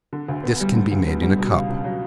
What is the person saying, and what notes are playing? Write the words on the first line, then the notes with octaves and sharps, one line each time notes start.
This can be made in a cup.
D3
D2
B3
G3
D3
D2
B3
G3
B2
C#2
C#2
F#3